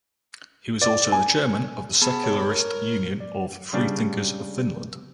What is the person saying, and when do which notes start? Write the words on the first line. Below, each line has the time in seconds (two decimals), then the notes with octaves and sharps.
He was also the chairman of the secularist Union of Freethinkers of Finland.
0.81 D5
1.12 G#5
2.02 B3 G#4 A5 B5
2.24 C#5
2.48 A#4
3.20 D5
3.73 C#3 G3 D4